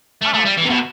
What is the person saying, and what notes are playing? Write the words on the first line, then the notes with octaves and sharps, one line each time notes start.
Oh, yeah.
A3
A3
G3
E3
C3
B2